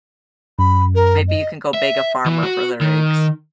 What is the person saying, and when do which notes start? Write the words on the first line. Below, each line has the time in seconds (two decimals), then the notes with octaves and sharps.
Maybe you can go beg a farmer for their eggs,
0.59 F#2 B5
0.95 A#4
1.28 D#5
1.74 E5
2.26 E3
2.43 F#4
2.81 D#3